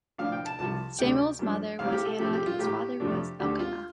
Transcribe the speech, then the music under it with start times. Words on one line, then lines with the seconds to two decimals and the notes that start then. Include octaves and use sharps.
Samuel's mother was Hannah and his father was Elkanah.
0.18 A2 F3 D4 F5
0.32 G5
0.46 A5
0.59 C2 C3 F3 A5
0.99 D2 C3 A3 D4 G5
1.39 G2 F3 D4
1.79 A1 A2 G3 C4 F5
1.93 G4
2.06 A4
2.19 A2 F3 C4 G4
2.33 G4
2.46 F4
2.59 A1 A2 A3 G4
3.00 F2 C3 F3 A3 D4
3.39 D2 D3 A3 D4 G4
3.59 F4